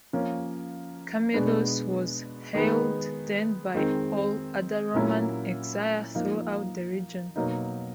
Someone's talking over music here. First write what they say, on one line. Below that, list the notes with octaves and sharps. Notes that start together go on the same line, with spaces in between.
Camillus was hailed then by all other Roman exiles throughout the region.
F3 A#3 C#4
B2 G#3 B3 D4
D#3 G#3 B3
D#3 G#3 C4
A#2 F#3 A#3 C#4 E4
F3 A#3 D#4
B2 F#3 A#3 D#4